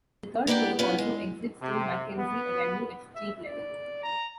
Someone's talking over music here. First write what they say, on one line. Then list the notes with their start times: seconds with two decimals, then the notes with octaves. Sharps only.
The third floor also exits to MacKenzie Avenue at street level.
0.47 A#3 B3 D4 D#4 G4
0.79 B3 C#4 F4
0.99 G#3
1.62 C3
2.18 B3
3.15 E5
3.47 D5
4.03 A#5